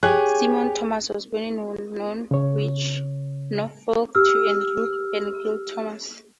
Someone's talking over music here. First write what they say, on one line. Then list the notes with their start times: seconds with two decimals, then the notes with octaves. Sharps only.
Simon Thomas was born in Norwich, Norfolk to Andrew and Gill Thomas.
0.03 G4 G#4 C#5 G#5 F#6
2.31 C#3 C#5
4.15 G4 E6 F6